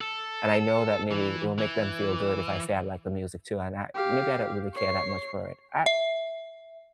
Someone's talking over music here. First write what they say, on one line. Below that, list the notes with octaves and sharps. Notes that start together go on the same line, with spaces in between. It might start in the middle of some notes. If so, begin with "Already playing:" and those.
and I know that maybe it will make them feel good if I say I like the music too, and I maybe I don't really care that much for it, I
A4
E3
E3
G4 F5
C#5 C7
E5